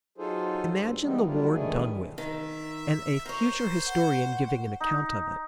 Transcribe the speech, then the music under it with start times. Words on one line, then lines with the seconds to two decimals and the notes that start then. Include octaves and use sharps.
Imagine the war done with, and a future historian giving an account of it.
0.18 F#3 D#4 F4 G#4 A4 C5
0.74 G2
1.03 E3 G3 G#3 B3 C4 D#4
1.25 F#3 G3 A#3 D4 E4 F4
1.50 G2 D#3 E3 A3 G#4
2.18 D#3 E5
3.26 A#4 C5 C#5
3.86 F#5
4.81 D#4